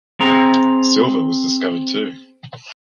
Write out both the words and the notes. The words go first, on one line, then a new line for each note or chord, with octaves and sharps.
Silver was discovered too.
C4 G#4 A#5